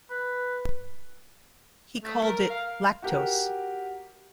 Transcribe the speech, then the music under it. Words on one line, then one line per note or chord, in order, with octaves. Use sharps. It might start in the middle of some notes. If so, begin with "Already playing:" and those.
He called it "lactose".
B4
A3
A#4
F5
F#4 G4 A#4